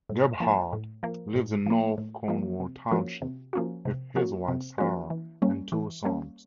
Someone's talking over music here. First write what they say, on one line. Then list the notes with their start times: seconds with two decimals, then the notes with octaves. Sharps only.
Gebhard lives in North Cornwall Township with his wife Sarah and two sons.
0.09 A2
0.40 F3 A#3
0.73 A2
1.03 F3 A#3
1.35 A2
1.66 F3 A#3
1.98 A2
2.28 F3 A#3
2.60 C3
2.91 F3 A#3 C#4 F#4
3.22 C3
3.53 F3 A#3 C#4 F#4
3.85 C3
4.16 F3 A#3 C#4 F#4
4.48 C3
4.78 F3 A#3 C#4 F#4
5.10 E3
5.42 G3 A#3 C#4
5.72 E3
6.04 G3 A#3 C#4